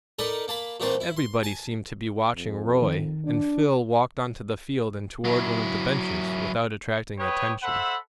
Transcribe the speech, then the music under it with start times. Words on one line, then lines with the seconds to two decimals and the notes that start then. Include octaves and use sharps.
Everybody seemed to be watching Roy, and Phil walked on to the field and toward one of the benches without attracting attention.
0.19 D#4 A4 A#4 D5 B5
0.48 A#3 A5 B5
0.80 A#2 E3 A3 A#3 C4 A5
1.00 E4
1.17 C6
1.43 G#5 A5
2.36 F2
2.82 D#3
3.25 D4
5.25 F#3 E4
7.19 G3 G4 B4 C#5 D#6
7.63 A4 C5 E5 F#5 B5